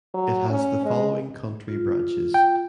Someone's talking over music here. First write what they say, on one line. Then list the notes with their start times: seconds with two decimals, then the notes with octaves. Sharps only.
It has the following country branches.
0.14 F#3
0.49 C#4
0.85 G#3
1.68 F4
2.34 G5